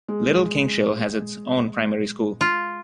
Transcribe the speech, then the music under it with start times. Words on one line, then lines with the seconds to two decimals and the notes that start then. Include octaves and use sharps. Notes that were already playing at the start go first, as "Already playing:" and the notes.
Little Kingshill has its own primary school.
0.08 G#3
2.41 F4